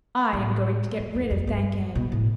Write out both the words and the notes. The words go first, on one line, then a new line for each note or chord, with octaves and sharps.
'I am going to get rid of Thakane.'
A2
F2
E2
F2
G2
B2
A2